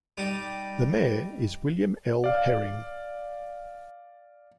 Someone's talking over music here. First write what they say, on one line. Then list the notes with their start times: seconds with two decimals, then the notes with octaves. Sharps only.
The mayor is William L. Herring.
0.18 G3 D#4
2.24 D5 F5